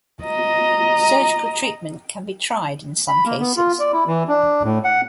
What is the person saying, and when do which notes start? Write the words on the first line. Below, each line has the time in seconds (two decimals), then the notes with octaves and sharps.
Surgical treatment can be tried in some cases.
0.24 D#5 A#5
3.08 B5
3.25 A#3
3.40 B3
3.57 F4
3.80 D5
3.93 E4
4.08 E3
4.28 D4
4.63 A2
4.84 F#5